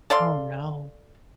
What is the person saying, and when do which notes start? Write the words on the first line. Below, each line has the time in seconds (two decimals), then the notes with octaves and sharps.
Oh, no.
0.10 A4 D5 F5 C6